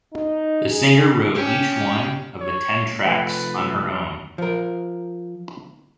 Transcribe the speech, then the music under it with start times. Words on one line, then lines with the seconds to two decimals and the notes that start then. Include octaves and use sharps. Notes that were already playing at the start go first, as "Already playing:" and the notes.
The singer wrote each one of the ten tracks on her own.
0.14 D#4
0.70 G#4
1.35 C#4 G4
2.41 C#5
3.05 C3 F3 A3 B4
4.38 F3 A#4